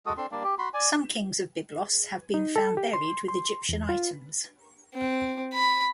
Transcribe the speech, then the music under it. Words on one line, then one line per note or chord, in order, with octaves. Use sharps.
Some kings of Byblos have been found buried with Egyptian items.
G#3 F#4 A4 D#6
C4 D4 A4 C6
G3 A#3 D4 D5
G4
F#4 B5 C6
D5 G#5
D#4
A4
G4
C6
C6
E2
F4
C4
B5